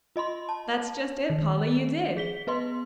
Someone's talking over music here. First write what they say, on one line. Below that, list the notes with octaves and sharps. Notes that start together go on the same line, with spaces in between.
That's just it, Polly, you did.
F4 D#5 B5 C6
A5
D#3
G#4 B6 G7
B3 B4 D#5 C6